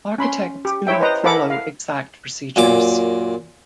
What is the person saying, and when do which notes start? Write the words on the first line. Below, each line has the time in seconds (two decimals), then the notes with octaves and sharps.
Architects do not follow exact procedures.
0.18 C#4 B5 C6
0.65 G4
0.87 E4 C#5 E5 G5
1.00 B4 C5 D#5 A#5
1.24 E4 A4 A#4 F#5 B5 D6
1.50 F5
2.56 F#2 A#2 D6